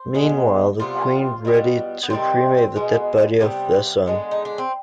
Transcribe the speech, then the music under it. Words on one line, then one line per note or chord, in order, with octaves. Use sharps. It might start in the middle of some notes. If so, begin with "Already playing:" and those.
Meanwhile, the queen readied to cremate the dead body of their son.
Already playing: C5
B2 G#3 B3
C3 G3 B3 F4
B2 G3 B3
B3
C3 D#3 G3 C4
B2 G#3 B3
C3 G3 B3
D3 G#3 B3
D#4
D4
C4